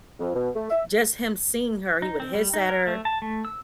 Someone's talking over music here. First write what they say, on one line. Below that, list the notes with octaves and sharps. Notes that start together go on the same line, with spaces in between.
Just him seeing her, he would hiss at her,
F2
B2
A3
E5
D#4
C4
G3
D#4
A#4
A3
A5
A3
E6